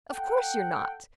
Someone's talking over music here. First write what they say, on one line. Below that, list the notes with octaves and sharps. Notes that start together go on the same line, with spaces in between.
Of course you're not.
A4 F#5 G5